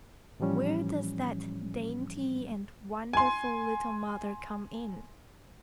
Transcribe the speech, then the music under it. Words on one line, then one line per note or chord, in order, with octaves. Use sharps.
Where does that dainty and wonderful little mother come in?
A2 E3 F3 G3 C#4
G#5 C6